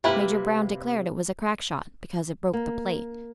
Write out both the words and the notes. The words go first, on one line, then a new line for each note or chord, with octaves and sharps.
Major Brown declared it was a crack shot, because it broke the plate.
C3 A#3 E4 G4 B4
A#3